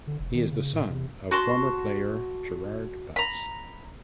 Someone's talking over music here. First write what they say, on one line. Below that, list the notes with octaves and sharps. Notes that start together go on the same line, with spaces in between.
He is the son of former player Gerard Butts.
D3
F1
D#3
C#3
A2
C3
F#4 A5 C6
A#5 B5